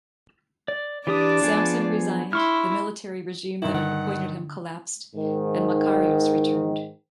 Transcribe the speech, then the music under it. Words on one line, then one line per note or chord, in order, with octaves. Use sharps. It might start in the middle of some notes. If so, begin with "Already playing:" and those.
Sampson resigned, the military regime that had appointed him collapsed, and Makarios returned.
D5
E3 D4 G4 D5 D#6
F3 B3 G#4
E4 C6 C#6 F6
G2 D#3 E4
D3 F#5
G#2 D#3